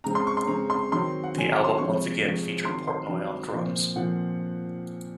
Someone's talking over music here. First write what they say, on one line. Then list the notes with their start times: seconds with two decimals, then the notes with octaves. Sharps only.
The album once again featured Portnoy on drums.
0.04 C#3 G#3 C4 A#5
0.15 C6
0.27 C#6
0.37 C6
0.48 C#3 G#3 C4 A#5
0.70 C6
0.92 D#3 F#3 C4 C6
1.23 F#5
1.34 D#3 F#3 C4 G#5
1.51 A#5
1.64 C6
1.78 C3 F3 G#3 C4 C#6
2.21 C3 F3 G#3 C4
2.65 D#3 F#3 C4 C6
2.88 C6
3.09 D#3 F#3 C4
3.52 A#2 F3 C4
3.95 A#2 F3 C4 F#5